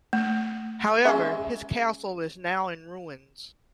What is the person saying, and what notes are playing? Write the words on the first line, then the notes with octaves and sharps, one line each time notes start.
However his Castle is now in ruins.
A3
G#3 C#4 E5